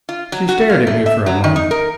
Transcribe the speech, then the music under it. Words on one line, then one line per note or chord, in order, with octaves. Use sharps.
She stared at me for a moment.
F4
F#3
F#4
F5
A3
E5
F#3
D#3
D#4
A#4